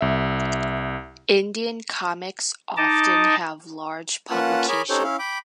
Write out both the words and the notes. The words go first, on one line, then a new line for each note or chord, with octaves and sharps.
Indian comics often have large publication.
C2 E5
D#4 D#5 A5 D6
A#3 C#4 F4 B4 F#5 A5
G#4 A#4 C#5 G#5 B5 D6
C#4 D#4 G4 A4 C5 C#5
C#4 E4 F5
G5 B5 D6